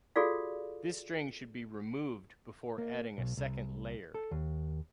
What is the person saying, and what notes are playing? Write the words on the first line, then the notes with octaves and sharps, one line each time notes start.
This string should be removed before adding a second layer.
F4 F#4 G#4 A4 D5 F5
A#3
B1
C2
A4
D#2